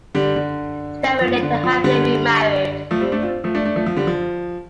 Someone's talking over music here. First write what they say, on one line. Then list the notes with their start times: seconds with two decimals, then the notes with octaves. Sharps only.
Steinway later happily remarried.
0.15 D3 G3
0.36 D3
1.21 F3
1.43 D3
1.63 F3
1.84 D3 G3
2.91 F3 A3
3.01 G3 C4
3.12 A3 D4
3.23 C4 F4
3.44 F3 A3
3.55 A3 D4
3.65 A3 D4
3.76 F3 A3
3.86 F3
3.96 D3 G3
4.07 F3